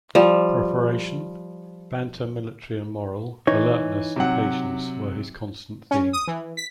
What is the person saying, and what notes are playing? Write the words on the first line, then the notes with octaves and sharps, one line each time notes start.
Preparation, banter military and moral, alertness and patience were his constant theme.
F3 G3
E3 D#4 C#5
C3 F#3 F#5
C#4
D#6
E3
B6